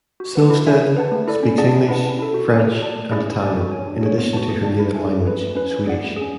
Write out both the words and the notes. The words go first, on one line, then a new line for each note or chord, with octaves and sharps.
Silvstedt speaks English, French, and Italian, in addition to her native language Swedish.
F#4
B4 F#5 A5
E4
A4 E5 G#5
G#4
B4 F#5 A5
A3
E4 A4 D5
C#4
G#4 D5 F#5 A5
C#4
E4 B4 F#5 A5
C#4
E4 A4
F#4
C#5 G#5
G#4
D5 A5
A3
C#4 E4 G#4 D5
G#4
D5 G#5
F#4
C#5 G#5
D4
G#4 C#5
B3
F#4 B4 F#5 A5
G#4
D5 A5
E4
A4 E5 G#5
C#4
G#4 B4
A3
C#4 E4 B4
C#4
G#4 D5 F#5
A3
C#4 G#4